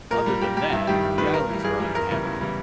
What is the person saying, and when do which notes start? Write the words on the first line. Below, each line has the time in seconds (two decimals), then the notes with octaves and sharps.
Other than that, the islands are uninhabited.
0.11 A#2 A#4
0.26 G3
0.41 A#2 G4
0.57 G3 G4
0.72 G2 E4
0.87 D#3 G3 G4
1.03 G2
1.18 D#3 G3 B4
1.34 G2 A#4
1.49 E3 G3
1.64 G2 G#4
1.80 E3 G3 G#4
1.95 E2 A#4
2.11 C#3 E3 G3 A#4
2.25 E2
2.41 C#3 E3 G3